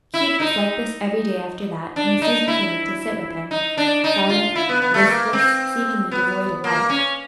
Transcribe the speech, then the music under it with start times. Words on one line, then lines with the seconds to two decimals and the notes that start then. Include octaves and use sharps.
Keith was like this every day after that, when Susan came in to sit with him--silent, listless, seemingly devoid of life.
0.14 E4
0.40 D#4
1.96 D4
2.22 D#4
2.48 E4
3.51 D#4
3.77 D4
4.04 D#4
4.29 F4
4.56 E4
4.69 B3
4.82 B3
4.94 A3
5.07 A#3
5.33 C4
6.11 B3
6.64 A#3
6.90 C#4